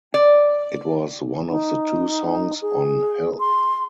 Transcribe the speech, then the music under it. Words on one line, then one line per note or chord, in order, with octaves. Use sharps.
It was one of the two songs on Help!
D5
D#4
G#4
C6